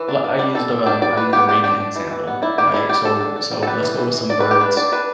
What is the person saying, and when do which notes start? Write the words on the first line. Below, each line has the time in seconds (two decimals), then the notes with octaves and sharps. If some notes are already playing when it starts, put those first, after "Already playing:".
li I used a um, I used a raven example, right? So so, let's go with some birds,
Already playing: E3
0.09 D4
0.24 D4
0.39 G3
0.55 G3 A4
0.71 D4
0.86 D4 G4
1.02 G3 D5
1.17 D4 B4
1.33 B3 G4
1.49 G3 G4
1.64 D4 G4
1.80 D4
1.96 E3
2.11 E3
2.27 B3
2.42 G3 E4
2.58 G3 G4
2.74 G3 E4
2.89 G3 G4
3.05 D4 A4
3.20 D4
3.36 D4
3.51 G3
3.63 A4
3.67 G3 B4
3.83 E3
3.98 E3
4.14 E3
4.30 D4 D5
4.40 B4
4.45 E3
4.51 G4
4.61 D4 B4
4.77 D4 D5
4.92 D4 B4